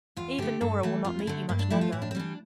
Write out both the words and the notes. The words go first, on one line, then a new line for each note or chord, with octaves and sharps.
Even Nora will not meet you much longer.
E2 F4
D3 A3 G4
G2 A4
E3 A3
F2 F4
E4
D3 A3
G2 A#3
D4
F3 A3 E4
F4
A2 E4
D4
C4
E3 G3 D4